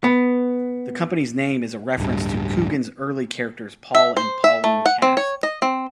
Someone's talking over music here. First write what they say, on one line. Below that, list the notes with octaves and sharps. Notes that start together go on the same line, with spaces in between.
The company's name is a reference to Coogan's early characters Paul and Pauline Calf.
B3
D1 G2
E5
C5
E5
A3
F#5
C4
C#5
D#5
C4